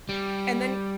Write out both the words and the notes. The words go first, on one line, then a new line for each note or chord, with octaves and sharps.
And then he
G3